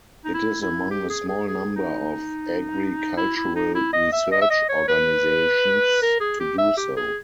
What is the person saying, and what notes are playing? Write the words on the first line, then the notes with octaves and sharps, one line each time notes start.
It is among a small number of agricultural research organisations to do so.
D#4
E4
E4
G4
G#4
G#4
G#4
D#4
E4
E4
D#4
E4
D#5
E5
D#5
E5
D#5
C#5
B4
A#4
G#4
G4
E5
G4
G#4